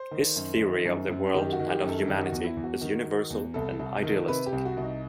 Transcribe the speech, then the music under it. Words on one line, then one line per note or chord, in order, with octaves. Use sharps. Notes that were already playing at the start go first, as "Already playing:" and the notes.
His theory of the world and of humanity is universal and idealistic.
Already playing: C5
D#3
F#2
D#3
F#2
F#2
D#3 G4
F#4
D#3
G4
F#2
A4
D#3 G4
F#4
E2
E4
E2
F#4
D#3
D#3
E2
C2 A4
C2
D#3
C3 B4
G4
C2
F#4
C2
D#4